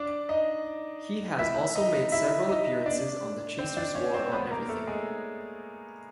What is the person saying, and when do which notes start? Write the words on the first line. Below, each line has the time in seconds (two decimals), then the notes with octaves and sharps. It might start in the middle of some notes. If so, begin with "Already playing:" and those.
He has also made several appearances on "The Chaser's War on Everything".
Already playing: D4 D5
0.29 D#4 D#5
1.38 E4 E5
1.75 D#4 D#5
2.12 E4 E5
2.49 D#4 D#5
2.86 D4 D5
3.59 C4 C5
3.77 D4 D5
3.95 C#4 C#5
4.14 C4 C5
4.32 B3 B4
4.51 A#3 A#4
4.69 A3 A4
4.87 G#3 G#4